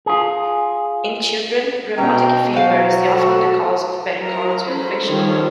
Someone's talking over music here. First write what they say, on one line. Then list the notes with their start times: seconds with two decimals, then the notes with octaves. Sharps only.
In children, rheumatic fever is often the cause of pericardial friction rub.
0.06 F4 G#4
1.98 B2 C#4 G5 A#5
2.53 B2 F#3 C5 F5
3.09 F#4 A4
4.20 F#3 E4 A#4 A#5
4.66 G#3 C#4 A4 C5 B5
5.06 D#3 F3 G3 A4 C5 C#5